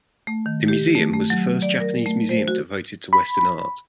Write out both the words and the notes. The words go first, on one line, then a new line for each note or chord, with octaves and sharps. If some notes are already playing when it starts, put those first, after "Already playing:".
The museum was the first Japanese museum devoted to Western art.
A3
D#3
G4
A3
A3
F#3
D5
A#4
A3
C5
F#4
B5